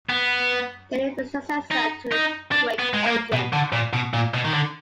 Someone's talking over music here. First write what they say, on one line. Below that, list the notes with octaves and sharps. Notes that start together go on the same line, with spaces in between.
It is the successor to the "Quake" engine.
B3
D#4
D#4
D4
B3
G#3
A#3
B2
D3
A#2
B2
A#2
B2
D#3
D3